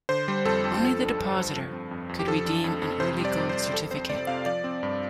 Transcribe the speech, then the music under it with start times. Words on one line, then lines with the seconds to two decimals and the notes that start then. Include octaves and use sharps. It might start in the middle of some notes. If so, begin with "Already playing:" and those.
Only the depositor could redeem an early gold certificate.
0.09 D3 C5
0.28 G3
0.45 F2 A4
0.64 F2
0.82 F3
1.00 D4
1.18 G2
1.36 G2
1.55 F3
1.73 C4
1.91 F2
2.09 F2
2.19 G4
2.27 F3 A4
2.45 D4
2.64 F2
2.82 F2
3.00 C3 C5
3.19 G3
3.25 D5
3.37 F2
3.49 C5
3.55 F2
3.73 F3 A4
3.91 C4 C5
4.09 C3 D5
4.27 C3 F5
4.46 F3 D5
4.64 C4
4.83 G2